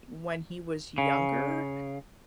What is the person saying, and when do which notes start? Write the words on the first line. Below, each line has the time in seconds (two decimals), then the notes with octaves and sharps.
when he was younger,
0.98 C#3